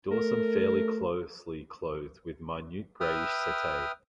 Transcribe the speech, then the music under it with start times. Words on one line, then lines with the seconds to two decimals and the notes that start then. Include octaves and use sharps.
Dorsum fairly closely clothed with minute greyish setae.
0.11 A3 A#4
3.01 B4 E5 G5 D#6 F6